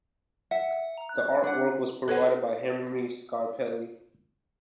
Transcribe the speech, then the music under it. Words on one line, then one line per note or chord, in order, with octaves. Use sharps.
The art work was provided by Henry Scarpelli.
E5 F#5
A#5
F#6
D4 F#5
A4 B4 C#5 F#5